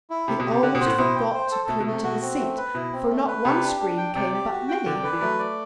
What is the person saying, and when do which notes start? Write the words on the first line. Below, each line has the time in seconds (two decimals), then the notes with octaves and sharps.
He almost forgot to cling to the seat. For not one scream came but many.
0.10 E4
0.28 C3 G4
0.40 B2
0.45 G4
0.51 C3
0.63 D3 F#5
0.75 B2
0.80 C5
0.86 A2
0.98 B2 E4
1.16 G5
1.33 C5
1.51 A4
1.68 B2 A3
1.80 B2
1.86 A3
1.93 C3
2.04 B2 F#4
2.22 C4
2.39 A3
2.57 B4
2.75 B2 E4
2.93 C4
3.10 A3
3.27 B4
3.45 C3 G4
3.63 D4
3.80 D4
3.97 G5
4.15 C3 D5
4.34 G4
4.51 F#4
4.68 G5
4.86 D3 D5
4.95 C3
5.03 D3 B4
5.13 E3
5.21 F#3 A3
5.39 D5